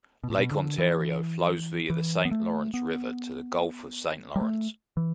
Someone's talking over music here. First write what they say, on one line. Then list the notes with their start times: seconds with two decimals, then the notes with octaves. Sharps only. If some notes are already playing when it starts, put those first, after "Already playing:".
Lake Ontario flows via the Saint Lawrence River to the Gulf of Saint Lawrence.
0.24 B2
0.30 A2
0.39 B2
0.51 D3
0.78 E3
1.90 E3
2.25 B3
2.31 A3
2.74 B3
4.36 G3
4.41 A3
4.97 E3